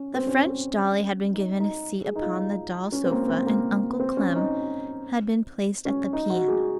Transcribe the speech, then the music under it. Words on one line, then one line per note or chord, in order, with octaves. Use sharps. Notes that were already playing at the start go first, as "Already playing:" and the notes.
The French dolly had been given a seat upon the doll sofa and Uncle Clem had been placed at the piano.
Already playing: C#4
C4
C#4
D#4
D#4
G#4
D#4
F4
C#4
C4
A#3
C4
A#3
C4
C#4
D#4
C#4
D#4
F#4
G#4